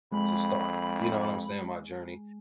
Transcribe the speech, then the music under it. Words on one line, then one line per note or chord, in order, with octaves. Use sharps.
to start, you know what I'm saying? My journey,
F2 G#3 B5